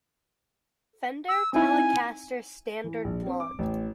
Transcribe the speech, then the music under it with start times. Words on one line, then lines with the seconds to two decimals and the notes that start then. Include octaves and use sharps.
Fender Telecaster Standard Blonde.
1.28 E6
1.53 C4 D#4 E4 G#5
2.84 E3
3.04 A#1
3.26 C4
3.40 D6
3.59 A1